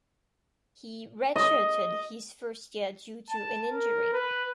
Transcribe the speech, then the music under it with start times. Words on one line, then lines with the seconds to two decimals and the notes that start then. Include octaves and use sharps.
He redshirted his first year due to an injury.
1.36 D#5
3.30 A5
3.71 A#4
4.13 B4